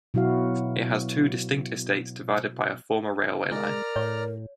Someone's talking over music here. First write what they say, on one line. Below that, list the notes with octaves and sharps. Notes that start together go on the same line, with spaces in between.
It has two distinct estates, divided by a former railway line.
B2 F#3 E4 F#4 F5
G#3 A#4 D5 A#5 F6
A2 C#5